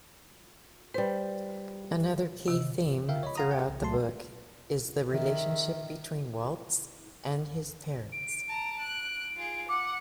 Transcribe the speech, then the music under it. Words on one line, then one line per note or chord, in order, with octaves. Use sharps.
Another key theme throughout the book is the relationship between Waltz and his parents.
G3 B4 C5
C3 D#3
F4 A#4 E5 F5 G5
C#5 D#5 B5
F5 F#5 A#5 C6 D#6
G#4 F#5
C2
C#2 F#3 A3 A5 C6
D#3 E5
D7
A5 A#5
F#6
F4 G#4
F#5 D6